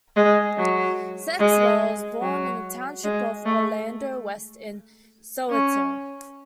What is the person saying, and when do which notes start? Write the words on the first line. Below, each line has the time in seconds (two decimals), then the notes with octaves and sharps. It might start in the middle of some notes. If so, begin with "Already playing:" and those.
Sexwale was born in the township of Orlando West, in Soweto.
0.16 G#3
0.57 F#3
1.39 G#3
2.22 F#3
3.04 G#3
3.45 A3
5.50 C#4